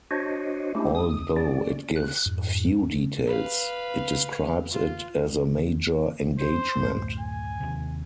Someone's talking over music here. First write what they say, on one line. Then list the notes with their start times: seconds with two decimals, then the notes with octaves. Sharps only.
Although it gives few details, it describes it as a major engagement.
0.11 D4 F#4 C5 C#5 D#5
0.75 G#3 A3 C#4 D4 E4 G4
0.95 D#6
1.36 C#4 D5
1.96 F#6
2.26 F2 G#2
3.26 B4 F5
4.71 F4
6.40 C5
6.80 F#1 D2 A2
7.20 G#5
7.60 D#2 C3